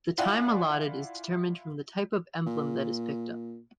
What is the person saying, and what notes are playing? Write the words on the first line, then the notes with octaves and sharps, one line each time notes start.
The time allotted is determined from the type of emblem that is picked up.
E4 F4 D5 F#5 G#5
A#2